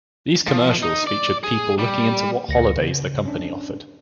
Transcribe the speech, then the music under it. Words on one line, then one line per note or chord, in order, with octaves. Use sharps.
These commercials featured people looking into what holidays the company offered.
F3
D#4
D5
G#4
G3
D2 A#6 C#7
C#3
C#4 D4